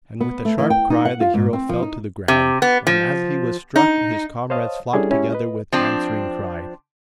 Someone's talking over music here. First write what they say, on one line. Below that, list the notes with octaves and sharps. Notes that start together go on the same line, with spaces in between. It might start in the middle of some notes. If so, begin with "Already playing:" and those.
And with a sharp cry the hero fell to the ground; and as he was struck his comrades flocked together with answering cry.
B3
A3
E3
G5
D#4
F#5
F4
G#2
C4
F3
D#4
C3
B3
F3
D#4
C5 C#5 D#5 F5 A5 D#6
G3 C#4 D4 E4 G#4 A4
G#3 C#4 E4 G4
B4 D#5
F3 C4 D4